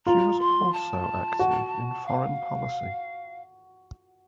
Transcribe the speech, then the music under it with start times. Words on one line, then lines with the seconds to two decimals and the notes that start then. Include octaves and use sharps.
She was also active in foreign policy.
0.06 F4 A#5
0.39 C6
0.73 A5
1.39 F#4
2.06 F5